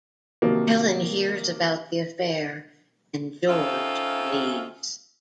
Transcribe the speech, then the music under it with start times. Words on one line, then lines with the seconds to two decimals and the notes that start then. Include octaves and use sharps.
Helen hears about the affair and George leaves.
0.42 C3 D#3 F3 F#3 A#3
3.47 D#3 C#4 F4 A4 C5 E5